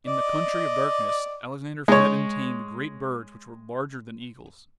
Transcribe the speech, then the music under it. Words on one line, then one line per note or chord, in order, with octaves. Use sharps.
"In the Country of Darkness" Alexander fed and tamed great birds which were larger than eagles.
D5 D#5 D6
G#3 C#5